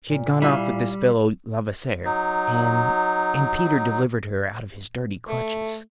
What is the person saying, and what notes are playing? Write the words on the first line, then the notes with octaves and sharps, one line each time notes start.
She had gone off with this fellow Levasseur, and... and Peter delivered her out of his dirty clutches.
A#2
G3 E4 F4
F#3 D#4
A3